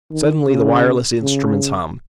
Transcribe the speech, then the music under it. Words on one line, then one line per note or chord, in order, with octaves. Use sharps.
Suddenly the wireless instruments hummed.
D#3
C#3
C#3